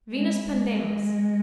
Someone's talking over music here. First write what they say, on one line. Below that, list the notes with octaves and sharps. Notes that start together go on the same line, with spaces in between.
Venus Pandemos.
G#3
G#3